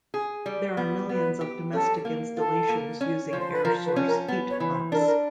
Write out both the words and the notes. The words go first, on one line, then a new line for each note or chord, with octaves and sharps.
There are millions of domestic installations using air source heat pumps.
G#4
G3
B3
B3 B4
G4
C#4 A4
A#3
F4 A4
A#3
C#4
C#5
F3
C5
B4
F3 A#4
B4
C#4
A#4
B3
C#5
E3
C5
D4 A#4
A4
A#4